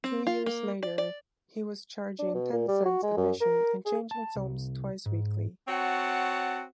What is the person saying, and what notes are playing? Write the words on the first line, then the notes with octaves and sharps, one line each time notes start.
Two-years later, he was charging ten-cents admission and changing films twice weekly.
C4
F4
A#3
D5
D5
D4
B2
A#2
G3
F#4
G#3
F#2
A#4
G#4
A5
C2
G#2
C4 F#4 C#5 F#5 A5